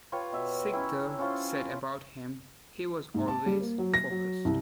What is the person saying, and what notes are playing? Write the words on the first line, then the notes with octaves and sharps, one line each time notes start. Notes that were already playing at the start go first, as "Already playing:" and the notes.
Sikdar said about him, He was always focused.
F4 G4 B4 C#5
B2 E5
C#4 E4 G4 A#4
C#4 E4 F4 C5
G#2
A5
G3
A#3
F#3
A#6
F#3
C2